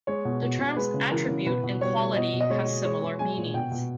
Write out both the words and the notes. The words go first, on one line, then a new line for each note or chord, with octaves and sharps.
The terms attribute and quality have similar meanings.
G#3 C#5
B2
B2
B2
G#3 B4
C#3
E3 A#4
C#3
B2 B4
B2
G3 C#5
G3
B2 D#5
B2
D#5
G#3 C#5
G#3
G#3 C#5
G#3
G#3 G#5
A#2
B2 G5
B2